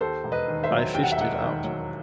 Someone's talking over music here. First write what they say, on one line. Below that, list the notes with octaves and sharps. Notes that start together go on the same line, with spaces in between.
I fished it out.
D#2 A4 C5
E1
B4 D#5
D#3
C5 E5
F#3
D#2 G5
F#5
E5
E1 D#5 F#5
D#3
F#3